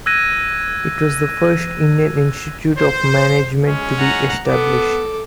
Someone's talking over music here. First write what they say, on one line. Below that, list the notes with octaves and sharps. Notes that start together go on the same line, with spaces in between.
It was the first Indian Institute of Management to be established.
E6 F#6 G#6 A#6 D#7
C5
G#3 C#4
F#5 A#5
B3 A4 D6